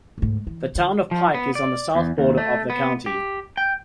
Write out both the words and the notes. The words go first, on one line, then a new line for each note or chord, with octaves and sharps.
The Town of Pike is on the south border of the county.
D2 G#2
E3
D3
F3
B3
D5
E2
D#2
A3
B3
G4
G5